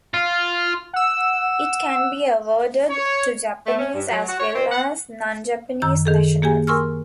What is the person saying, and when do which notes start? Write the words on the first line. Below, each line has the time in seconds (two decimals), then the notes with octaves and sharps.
It can be awarded to Japanese as well as non-Japanese nationals.
0.14 F4
0.93 F#5 E6
2.89 C#5
3.67 A3
3.79 C#4
3.94 G2
4.11 F#3
4.28 F#4
4.40 C#5
4.55 C4
4.71 F#5
5.82 F#2 D#3 A#5 E6
6.05 D#3 G#4 A4
6.42 A#3 G4 G#4 G#5
6.67 A#4 G#5 C6 C#6 E6 F6